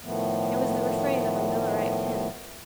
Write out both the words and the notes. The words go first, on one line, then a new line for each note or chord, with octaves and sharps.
It was the refrain of a Millerite hymn.
A2 D#3 F3 A3 B3